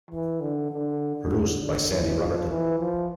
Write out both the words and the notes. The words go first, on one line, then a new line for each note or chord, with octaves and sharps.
Produced by Sandy Roberton.
E3
D3
D3
D3
D3
E3
F3
E3
F3